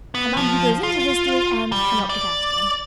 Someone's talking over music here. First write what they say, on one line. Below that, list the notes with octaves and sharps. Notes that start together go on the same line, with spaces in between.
A man who goes into history and cannot get out again.
B3
F3
F4
G3
D5